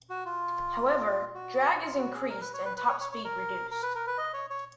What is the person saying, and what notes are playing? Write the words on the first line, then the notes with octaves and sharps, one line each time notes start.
However, drag is increased and top speed reduced.
F#4
F4
F#4
F4
F#4
G#4
A#4
B4
C#5
B4
B4
C#5
C#5
C#5
A#4
A#4
B4
A#4
B4
D#5
C#5
C#5